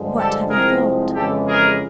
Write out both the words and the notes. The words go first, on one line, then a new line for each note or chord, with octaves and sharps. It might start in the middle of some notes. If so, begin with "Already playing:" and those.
"What have you thought?"
Already playing: G2 D3 F3 G#3
G4 A4
C2 C3 F3 G#3 G#4 A#4
F2 C#3 E3 G#3 G4 A4
G#4 A#4